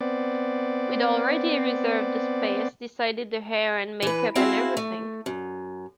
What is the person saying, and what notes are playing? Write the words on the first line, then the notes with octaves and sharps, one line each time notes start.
We'd already reserved the space, decided the hair and makeup and everything.
B3 C4 D5
E3 B4
C4 E4 F#4 G#4 F5
A3
F#2